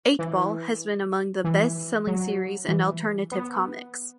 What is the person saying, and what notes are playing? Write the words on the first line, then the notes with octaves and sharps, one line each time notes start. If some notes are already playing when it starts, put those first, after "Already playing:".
"Eightball" has been among the best-selling series in alternative comics.
E3
E3
F#3
E3
B3